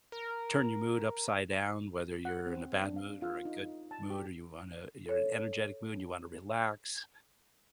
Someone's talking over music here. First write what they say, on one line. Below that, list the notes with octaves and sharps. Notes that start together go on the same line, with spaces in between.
turn your mood upside down, whether you're in a bad mood or a good mood or you wanna you're in an energetic mood, and you wanna relax.
A#4
F#5
C4
D4
F5
F4
D#4
D#4
A5
G4
A4 C#5